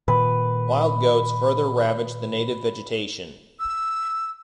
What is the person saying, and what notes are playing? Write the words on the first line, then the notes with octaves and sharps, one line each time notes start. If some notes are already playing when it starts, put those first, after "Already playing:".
Wild goats further ravaged the native vegetation.
A#2 D#3 B4
E6